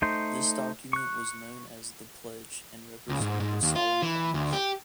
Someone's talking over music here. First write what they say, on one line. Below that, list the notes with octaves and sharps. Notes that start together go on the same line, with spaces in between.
This document was known as The Pledge and represented a solemn promise.
A3 D#4 C5
C#6 F#6
C#2
G#2
G#2
D#2
F4
E3
D2
G4